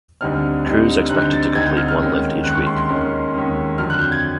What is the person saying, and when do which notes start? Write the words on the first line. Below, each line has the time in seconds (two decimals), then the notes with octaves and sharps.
Crews expected to complete one lift each week.
0.21 D2 D3 G3 C4 D#4 F6
0.66 D2 D3 G3 C4 D#4
1.10 D2 D3 G3 C4 D#4 F#6
1.21 G6
1.33 A6
1.55 D2 D3 G3 C4 D#4 G#6
1.66 G6
1.77 F6
1.88 F6
2.00 D#2 D#3 G#3 C#4
2.44 D#2 D#3 G#3 C#4 F#6
2.55 C#6
2.67 C6
2.77 C6
2.89 D#2 D#3 G#3 C#4
3.34 D#2 D#3 G#3 C#4
3.78 F2 D3 F#3 F6
3.90 F#6
4.01 G6
4.12 G#6